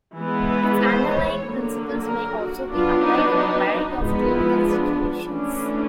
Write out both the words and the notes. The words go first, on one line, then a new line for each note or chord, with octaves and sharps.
Its underlying principles may also be applied in a variety of clinical situations.
E3 G#3 B3
B4
C5
C#5
D3 F#3 A#3
A#4
F#4
F#3 B3 D4 F4
D#4
D#4
F3 G#3 B3 D#4
E4
D4
E3 A3 C#4 D4